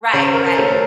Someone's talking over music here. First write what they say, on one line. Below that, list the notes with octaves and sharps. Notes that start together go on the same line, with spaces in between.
Right, right.
C#3 C#5
C5
A#4
C5
A3 C#4 A4
A#4